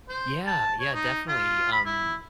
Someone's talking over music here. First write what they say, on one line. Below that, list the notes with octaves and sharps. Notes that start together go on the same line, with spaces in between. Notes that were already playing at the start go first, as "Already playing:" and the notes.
Yeah, yeah, definitely, um
C5
A5
C#5
D#4
F4
B5
E4